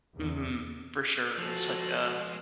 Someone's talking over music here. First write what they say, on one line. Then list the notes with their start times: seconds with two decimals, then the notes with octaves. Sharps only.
Mhm, for sure, it's like, uh,
0.16 E2
1.38 F3 G#3 F4 F#4 A4 F#6